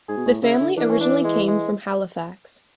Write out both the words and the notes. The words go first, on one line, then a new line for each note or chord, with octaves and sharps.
The family originally came from Halifax.
G#2 G#4
B2
A2
C#3 E4
D3
E3 D4
C#4
D4
G#3
G#3